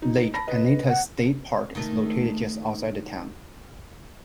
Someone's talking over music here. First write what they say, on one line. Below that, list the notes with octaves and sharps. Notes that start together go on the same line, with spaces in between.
Lake Anita State Park is located just outside the town.
D#4
A5 B5 A#6
B4 D#5
F#5
D#3 A3